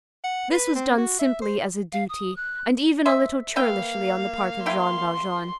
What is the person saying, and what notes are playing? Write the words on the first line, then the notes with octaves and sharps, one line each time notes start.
This was done simply as a duty and even a little churlishly on the part of Jean Valjean.
F#5
B4
C4
F#4
E5
C5
F5
D#6
F#6
C5 D#5 E5
A#3 B4 E5 F5 G5
C3 E4 G5 C6